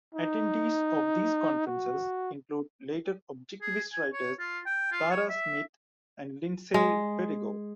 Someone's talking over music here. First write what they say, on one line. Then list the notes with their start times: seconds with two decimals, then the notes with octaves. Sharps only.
Attendees of these conferences include later Objectivist writers Tara Smith and Lindsay Perigo.
0.15 D#4
1.67 F#4
3.61 G#4
3.92 G#5
4.13 C#5
4.39 F4
4.66 G5
4.92 F4
5.11 C#5
5.29 E5
6.74 G#3